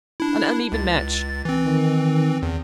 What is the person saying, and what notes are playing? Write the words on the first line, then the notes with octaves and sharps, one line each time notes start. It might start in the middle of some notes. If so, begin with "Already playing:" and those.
An uneven match.
D4 E4
C#2 A6
E3 C4
D#3
E2